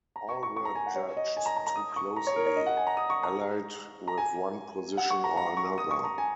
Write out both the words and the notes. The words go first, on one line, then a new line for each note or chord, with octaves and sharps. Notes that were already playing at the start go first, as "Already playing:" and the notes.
All were judged too closely allied with one position or another.
A#5
C#6
C#6
C#6
A#5
G#5
F#5
C#5
D#5
G#5
A#5
A#5
A#5
D#6
C#6
A#5
C#5
A#4
C#5
D#5
F#5
G#5
A#5
D#6
C#6
A#5
A#5
G#5
F#5
C#6
A#5
A#5
C#6
D#6
C#6
A#5
G#5